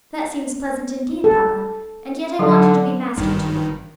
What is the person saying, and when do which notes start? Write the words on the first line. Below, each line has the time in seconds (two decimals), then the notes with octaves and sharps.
That seems pleasant indeed, papa; and yet I want you to be master too.
1.24 A4
2.39 D3 F#3
3.17 G#1 G2 D#3